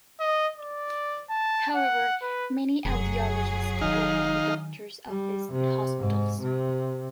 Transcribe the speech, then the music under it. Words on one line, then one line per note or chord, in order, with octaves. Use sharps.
However, many audiologists work in doctor's office and hospitals.
D#5
D5
A5
F#5
B4
F1 F#2 F#3 G#4
D#3 D#4 F5
G3
C3
G#2
C3